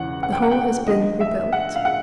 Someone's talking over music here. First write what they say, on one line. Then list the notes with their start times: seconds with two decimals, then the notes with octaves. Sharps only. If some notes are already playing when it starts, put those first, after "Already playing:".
The whole has been rebuilt.
Already playing: E1 E2 C#3 E3 F#5
0.23 F#5
0.33 G5
0.42 F#5
0.51 G5
0.61 F#5
0.88 D2 D3 F3 D#5
1.20 E5
1.53 F#5
1.76 F5
1.85 F#5